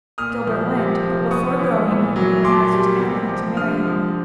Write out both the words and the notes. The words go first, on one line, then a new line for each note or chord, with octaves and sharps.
Gilbert went, but before going he had asked Anna to marry him.
A#2 D#6 F6
F3
C3
F3
B3 C#6 D#6
E3
A#2
F#3
A#2 C6 D6
G3
C3
F3
D3 D#6 F6
F3